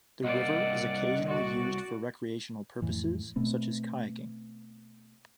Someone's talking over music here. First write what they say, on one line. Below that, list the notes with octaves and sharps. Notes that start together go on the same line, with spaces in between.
The river is occasionally used for recreational purposes, such as kayaking.
C2 A#3 D5 D#5 F#5
F#4 D5
F2 A2 E3
B2 A3 B3 C4